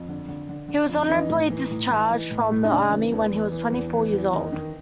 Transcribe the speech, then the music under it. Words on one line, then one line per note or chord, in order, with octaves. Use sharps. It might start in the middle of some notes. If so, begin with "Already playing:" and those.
He was honorably discharged from the Army when he was twenty-four years old.
Already playing: F2
D3
D3
D3
D3
F2
E3 D#4
A2
E3
A2
E3
E3
A2
A2
D#4
C#3 D4
E3
E2
E3
E3
E2
E3
E2
D#3 D#4
D#3